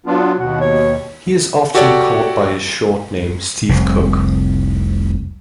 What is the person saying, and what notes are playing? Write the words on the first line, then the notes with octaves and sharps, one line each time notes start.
He is often called by his short name Steve Cook.
F#3 B3 D4 F4
D#2 B2 F#4
C#5
F#4 G4 A4 C#5 D5
F1 C2